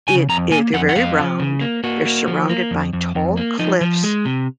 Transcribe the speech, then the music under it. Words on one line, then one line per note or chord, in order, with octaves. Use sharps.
it it they're very round. They're surrounded by tall cliffs
C#3 G#5
F2 A#5
A#3 G#5
F2 F#5
F#5
F2 F5
F3
C#3
A#3
A#3 F#4
A#3
F3
A#3
F2
F2
F2
A#3
F3 D#4
F3
G#3
C3